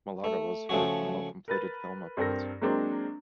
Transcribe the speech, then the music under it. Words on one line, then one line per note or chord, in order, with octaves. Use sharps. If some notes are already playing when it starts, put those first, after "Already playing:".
"Malaga" was her final completed film appearance.
A3
C#3 F3 A3 C#4 F#4
A#4 B4 A6
G2 C4 A4 A#4 A#6
F#3 G#3 A#3 C4 D4 C5